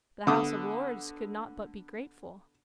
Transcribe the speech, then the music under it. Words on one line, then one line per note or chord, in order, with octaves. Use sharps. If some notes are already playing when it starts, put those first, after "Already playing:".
The House of Lords could not but be grateful.
D3 B3 D6 D#6